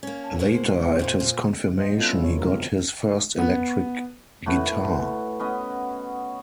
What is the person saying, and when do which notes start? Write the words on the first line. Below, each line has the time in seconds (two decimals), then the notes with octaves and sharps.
Later, at his confirmation, he got his first electric guitar.
0.03 A#3 C#4
0.23 A5
0.39 B2 G#3 A#4 C5
0.81 F4
0.99 D#2 A#2 D3 C5
1.20 A#2
1.77 C5 D#5
1.97 G3 B3 C#4 E4 F4 A4
2.09 C#4 F4
2.23 C3 C#5
2.38 B2 D3 F3 G#3 A#4
2.55 C4
3.38 B3
4.46 A2 F#4 B4
5.39 B3 C#4 D#5